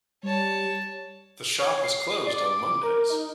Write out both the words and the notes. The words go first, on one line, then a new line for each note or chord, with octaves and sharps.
The shop is closed on mondays.
G3 C#5 A5
C#5
C7
D5
D6
A#4
D#4